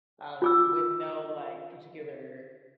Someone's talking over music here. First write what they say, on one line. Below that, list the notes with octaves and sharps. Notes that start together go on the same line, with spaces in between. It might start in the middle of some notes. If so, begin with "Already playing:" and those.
um, with no, like, particular,
F4 D6 E6